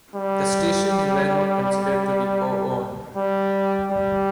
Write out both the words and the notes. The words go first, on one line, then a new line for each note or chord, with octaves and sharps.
The stations were not considered to be co-owned.
G3
G3
G3